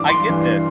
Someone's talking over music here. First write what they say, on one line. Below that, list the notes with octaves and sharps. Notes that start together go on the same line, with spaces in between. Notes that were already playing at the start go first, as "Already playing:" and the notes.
I get this.
Already playing: G2 E3 D6
C6
G2 E3